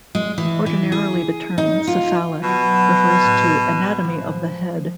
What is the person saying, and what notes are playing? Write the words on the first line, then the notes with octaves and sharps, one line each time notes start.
Ordinarily the term "cephalic" refers to anatomy of the head.
G#3
E3
E3
G#4
D#4
F4
B2 F#3
A2 A3
F3 G#3